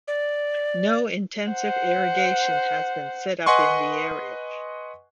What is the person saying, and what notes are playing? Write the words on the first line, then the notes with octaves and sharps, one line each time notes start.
No intensive irrigation has been set up in the area.
D5
C5 F#5
B4 D#5 F#5 G#5 C6 C#6